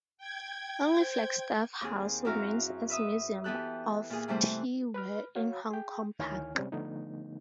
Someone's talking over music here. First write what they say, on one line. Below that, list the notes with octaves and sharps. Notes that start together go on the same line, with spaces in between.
Only Flagstaff House remains as Museum of Tea Ware in Hong Kong Park.
G5 G#6
C5
D#2 C4 G#4
F#2 C4 E4 F#4 F5 A#5
B4 E5 D#6
E3 B3 G4 A4 F#6
A#2 G#4
C3 E3 G3 A3 C5 F#6
B4 B5 F6
F#4 C#5 F5
G#4 G5
D2 D#3 E4 C#5 G#5 F6
C3 G3 G#3 C4 C#4
D3 F3 A3 B3 D#4